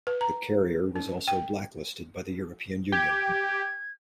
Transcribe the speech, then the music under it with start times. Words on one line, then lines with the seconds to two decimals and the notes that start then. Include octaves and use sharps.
The carrier was also blacklisted by the European Union.
0.07 B4
0.21 A#5
0.96 C#4
1.28 G5
2.92 G4 G#6